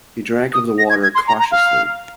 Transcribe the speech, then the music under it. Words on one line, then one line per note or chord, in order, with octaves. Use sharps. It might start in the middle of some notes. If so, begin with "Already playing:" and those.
He drank of the water cautiously.
D#6
A#6
G#6
G#6
C6
A#5
A#5
F5